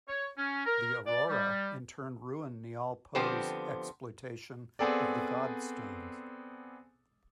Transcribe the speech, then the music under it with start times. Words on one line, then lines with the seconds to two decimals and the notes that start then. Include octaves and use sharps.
The Aurora in turn ruined Niall Poe's exploitation of the God Stones.
0.09 C#5
0.38 C#4
0.66 A#4
1.07 D5
1.29 G3
3.15 D3 F3 B3 C4 G4 C5
4.79 B3 C4 G#4 A4 D5